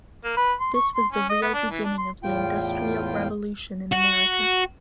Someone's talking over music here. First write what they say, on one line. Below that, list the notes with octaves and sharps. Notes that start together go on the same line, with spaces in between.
This was the real beginning of the Industrial Revolution in America.
A#3
B4
C6
C#6
C6
C#4
D#5
B3
D4
E3
D4
C6
E2 A2 F4 G5
F#4